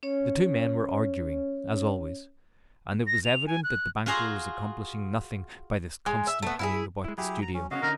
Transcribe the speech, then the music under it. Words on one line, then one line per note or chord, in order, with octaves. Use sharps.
The two men were arguing, as always, and it was evident that the banker was accomplishing nothing by this constant hanging about the studio.
C#4 C#5
A#6
F7
G#5
F#6
F4 F#4 G#4 F5 A#5
G#3
E5
A3 B3
E4 F4 G#4
G#3 E4
F#3 E4 G4 G#4
A#5
C#4
C#3 A#3 C#4 F#4 D#5 F5
D3 C#4 D#4 A#4